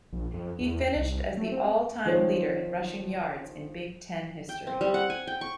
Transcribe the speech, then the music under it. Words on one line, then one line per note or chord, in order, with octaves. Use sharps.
He finished as the all-time leader in rushing yards in Big Ten history.
A#1
F2
E2
C2
A3
C4
D#3 F3 C4 C#5
G5
C4
G3
F#5
G#5
G5
C#6